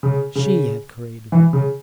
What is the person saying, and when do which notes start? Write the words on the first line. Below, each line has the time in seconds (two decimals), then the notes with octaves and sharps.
She had created him.
0.03 C#3
0.35 C#3
1.32 E3
1.53 C#3